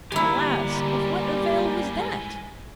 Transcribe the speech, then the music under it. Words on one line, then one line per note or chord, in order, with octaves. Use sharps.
Alas! of what avail was that?
G3 A#3 E4 G4 D5 G#5 A#5
G#2 E3